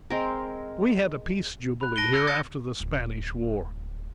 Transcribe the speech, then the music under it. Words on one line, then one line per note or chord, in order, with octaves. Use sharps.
We had a Peace Jubilee here after the Spanish War.
G#3 C4 A#4
B5 F#6
A5 A#6 D7 D#7 G7
E6 F#6 G#6 A#6 C#7
D#6 G6 A6 A#6 C#7
D1